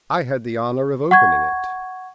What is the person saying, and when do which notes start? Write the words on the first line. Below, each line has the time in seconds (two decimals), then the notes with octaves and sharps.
I had the honour of opening it.
1.11 F#5 C#6 G#6